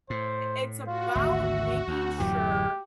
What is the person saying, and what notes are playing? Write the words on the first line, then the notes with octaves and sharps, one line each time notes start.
it's about making sure
A2 C5
F4 F#4
G#1 D2 E5
D2
D1 F#2 E3 G4